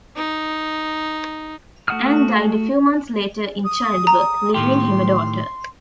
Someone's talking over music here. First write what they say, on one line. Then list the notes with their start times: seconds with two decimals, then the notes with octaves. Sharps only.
Anne died a few months later in childbirth, leaving him a daughter.
0.16 D#4
1.88 A3 F#4 F#5 D#6 F6
3.65 D#6
4.07 A#5
4.54 A2 D#3 G4 C6